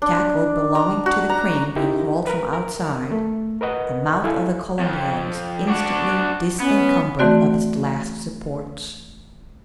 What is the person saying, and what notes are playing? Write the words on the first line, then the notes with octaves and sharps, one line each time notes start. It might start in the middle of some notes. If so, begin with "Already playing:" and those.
The tackle belonging to the crane being hauled from outside, the mouth of the Columbiad was instantly disencumbered of its last supports.
D4
A#5
F#4
A#5
D#4 E4 G4 A#4
A#4 B4
A#4
A3
A#4 B4 D#5 F#5
E4 A4 F5 G#5
F2
D4 F#4
B3 C#4
E3 A3 C4 F#4 D5